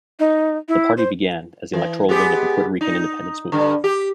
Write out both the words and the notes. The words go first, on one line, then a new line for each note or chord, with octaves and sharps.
The party began as the electoral wing of the Puerto Rican independence movement.
D#4
E4
C5
E3
G#3 B3 G4
D#4
G2 D3
G4